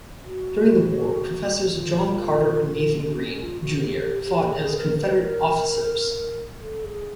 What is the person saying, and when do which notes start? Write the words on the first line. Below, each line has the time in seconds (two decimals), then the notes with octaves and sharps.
During the war, professors John Carter and Nathan Green, Junior fought as Confederate officers.
0.24 F#4
1.65 F4
3.07 F#4
3.25 C#4
3.42 F4
3.60 F#4
3.78 G4
4.13 G4
4.49 A4
4.52 G#4
4.72 B4
4.77 A#4
4.96 B4
5.19 A#4
6.61 A4
6.84 G#4